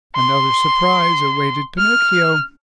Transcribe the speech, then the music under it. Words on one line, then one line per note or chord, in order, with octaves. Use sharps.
Another surprise awaited Pinocchio!
C6
F6